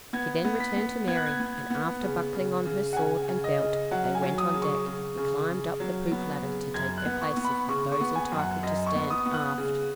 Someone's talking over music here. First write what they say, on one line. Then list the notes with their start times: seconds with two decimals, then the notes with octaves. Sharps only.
He then returned to Mary, and after buckling on her sword and belt they went on deck and climbed up the poop ladder to take their places with those entitled to stand aft.
0.13 B3 G#6
0.44 B3
0.60 B6
0.76 B3
1.08 B3 G#6
1.17 F#6
1.26 G#6
1.40 B3
1.70 B3
2.02 C#3
2.34 C#3
2.65 C#3
2.93 F#5
2.97 C#3 G#5
3.28 C#3
3.44 D#5
3.59 C#3
3.91 F#3 F#5
4.15 G#5
4.23 F#3
4.38 D#6
4.54 C#3
4.62 C#6
4.86 C#3
5.17 C#3
5.49 C#3
5.80 F#3
6.12 B3
6.42 C#3
6.74 F#2 G#6
6.98 F#6
7.06 B3
7.22 C#6
7.37 B3
7.45 B5
7.69 C#3 C#6
7.92 C#6
8.01 B3
8.16 G#5
8.31 F#2
8.39 F#5
8.63 F#2 D#5
8.87 C#6
8.95 B3
9.10 D#6
9.26 B3
9.34 F#6
9.58 C#3